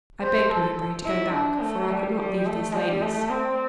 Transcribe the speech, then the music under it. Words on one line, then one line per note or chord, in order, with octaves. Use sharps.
I begged Mowbray to go back, for I could not leave these ladies.
C5
A4
E4
D4
A3
G3
G3
A3
G3
A3
C4